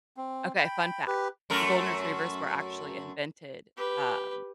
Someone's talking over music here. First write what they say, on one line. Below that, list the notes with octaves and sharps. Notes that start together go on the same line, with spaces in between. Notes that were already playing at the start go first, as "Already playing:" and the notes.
Okay, fun fact. The golden retrievers were actually invented, um,
C4
G5 B5
G4 B4
F#2 A3 A#4
G4 B4